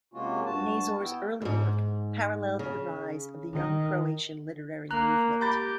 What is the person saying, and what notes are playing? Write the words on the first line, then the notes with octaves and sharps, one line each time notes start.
Nazor's early work paralleled the rise of the Young Croatian literary movement.
C3 G#3 A#3 C#4 F4 F#4
G2 F#4 A5
B3 E4 G5
E2 G#2
C#3
D#3
A#3 A#5 F#6
G4 A#5 B5 G6 A6